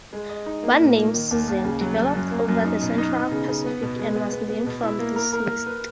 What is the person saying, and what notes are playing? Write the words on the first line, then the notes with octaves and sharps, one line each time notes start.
One name, Susan, developed over the Central Pacific and was named from this list.
G#3
D#5
D#4
A#3
A#2
A#3
D#3
D#2
D#2
C#3
F#3
F#3
F#2
A#3
F#2
D#4
B2
D#4
B3
C#3
C#3
B3
B2
G#3
B3
B3
B3
B2
E4
A#3
A#4
A#4
A#4
B4